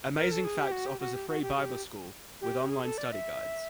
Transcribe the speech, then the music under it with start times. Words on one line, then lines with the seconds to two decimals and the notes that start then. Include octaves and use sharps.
"Amazing Facts" offers a free Bible school with online study guides.
0.18 A#4
0.31 A4
0.44 G#4
0.58 G4
0.72 F#4
0.86 G4
1.00 F#4
1.14 G4
1.29 F#4
1.42 G4
1.56 G4
2.41 G4
2.69 G#4
2.83 A4
2.98 D5
3.12 E5